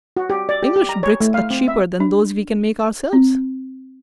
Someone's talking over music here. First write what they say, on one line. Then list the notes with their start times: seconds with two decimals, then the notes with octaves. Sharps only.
English bricks are cheaper than those we can make ourselves.
0.17 F#4
0.30 G4
0.49 D5
0.63 G4
0.76 G4
0.89 A#5
1.03 C#5
1.20 A3
1.34 F5
1.51 C4
1.68 E5
2.00 D4
3.13 C4